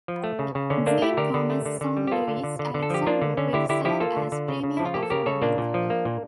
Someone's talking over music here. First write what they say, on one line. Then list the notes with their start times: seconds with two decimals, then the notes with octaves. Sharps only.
Jean-Thomas's son Louis-Alexandre would serve as Premier of Quebec.
0.08 F3
0.24 A3
0.39 C#3
0.55 C#3
0.70 D3 C#4
0.86 A3 A#3 D4
1.02 A3 E4 G4
1.17 D3 G4 A#4
1.34 D3
1.50 A3
1.66 D3
1.81 D3
1.97 G3
2.07 G4
2.12 A#3 F4 A4
2.28 D3
2.44 D3
2.59 D3
2.74 D3
2.83 A4
2.90 F3 G4
3.07 A#3 D4 F4
3.22 D3
3.37 D3 C#4
3.53 D3 E4 G4
3.69 D3 E4 G4
3.85 F3 E4 G4
4.00 A#3 F4 A4
4.17 D3
4.32 D3
4.48 C#3
4.64 C#3
4.77 F3 E4
4.85 F4
4.94 A#3 G4
5.03 A4
5.10 C#3 G4 A#4
5.26 C#3 A4 C#5
5.42 A#2 A#3 D4
5.58 A#2
5.74 F3
5.90 A#3
6.05 A#2